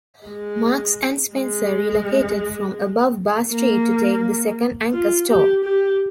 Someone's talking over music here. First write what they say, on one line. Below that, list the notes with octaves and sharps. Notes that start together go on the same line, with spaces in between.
Marks and Spencer relocated from Above Bar Street to take the second anchor store.
G#3
G#3
A#3
F4
G4
G4